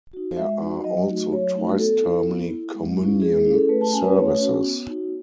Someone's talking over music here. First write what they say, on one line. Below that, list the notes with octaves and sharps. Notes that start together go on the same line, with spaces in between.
There are also twice-termly Communion services.
D#4 F#4
G#3 E5
D#4 F#4
F#3 D#5
A3 D#4 F#4
F#3 C#5
A3 D#4 F#4
B3 A4
E4
B3
E4
G#3
C#4 E4
G#3 G#4
G#4
C#4 E4
A4
A3 B4
A5
C#4 F#4 G#5
B4
A3 C#5
C#4 F#4
B3
D#4 F#4